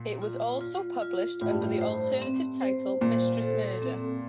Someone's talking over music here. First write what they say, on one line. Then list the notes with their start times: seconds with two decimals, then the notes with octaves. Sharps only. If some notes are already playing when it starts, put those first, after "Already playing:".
It was also published under the alternative title Mistress Murder.
Already playing: A#2
0.22 F4
0.61 F4
1.02 F4
1.41 A2 F4
1.51 G2
1.61 A2
1.81 C5
2.22 C4
2.61 C5
3.01 A#2 C5
3.42 A4
3.82 C4